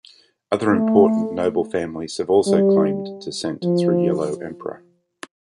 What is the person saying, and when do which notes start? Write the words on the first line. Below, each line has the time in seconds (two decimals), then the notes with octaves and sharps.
Other important noble families have also claimed descent through Yellow Emperor.
0.72 A3
2.47 G3
3.63 F3